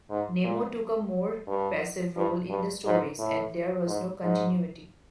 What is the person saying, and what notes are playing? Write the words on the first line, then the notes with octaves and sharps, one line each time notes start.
Nemo took a more passive role in the stories, and there was no continuity.
G#2
A#2
G2
G2
G2
G#2
A2
G#2
G#2